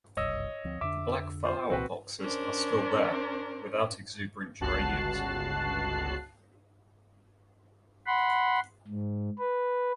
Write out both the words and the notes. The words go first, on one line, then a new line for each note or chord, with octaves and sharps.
The black flower boxes are still there, without exuberant geraniums.
F#1 C2 G2 C#5 D#5 E6
D2 F3 C4
F2 D3 D4 E5 D6
F4 C5
C2 A#2 E3 C4 F#4 B4
C#4 D4 A#4 C5
G1 C#2 F#4 A5 F#6 C7
F#5 B5 C6
G#2
B4